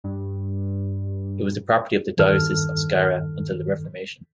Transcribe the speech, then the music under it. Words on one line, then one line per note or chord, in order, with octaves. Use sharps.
It was the property of the Diocese of Skara until the Reformation.
G2
E2 G2 D#3 A4 F6